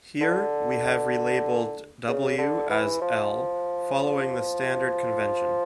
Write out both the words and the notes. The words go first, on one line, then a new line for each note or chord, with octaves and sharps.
Here, we have relabeled W as L following the standard convention.
D3
C#3
D3
E3
F3